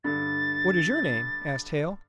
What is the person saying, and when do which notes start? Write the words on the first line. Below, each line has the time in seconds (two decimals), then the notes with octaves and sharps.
"What is your name?" asked Hale.
0.04 G2 D3 A6